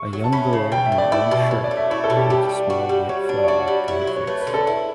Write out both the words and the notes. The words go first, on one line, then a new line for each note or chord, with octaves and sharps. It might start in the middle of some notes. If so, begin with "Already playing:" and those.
A young girl in an orange shirt holds a small white flower up to her face.
Already playing: C#6
F#3
A5
C#4 B5
C#3
B2 G5
E5
A3
D5
E4 D5
B2
B2 C#5
D5
A3
E5
E4 C#5
A4
B2
G4
G3 G4
D4
F#4
G3
G3 C#5
D4
C#5
F#4 D5
G3
E4 C#5
F#3
C#5
A3 B4
B4
D3
A4
E4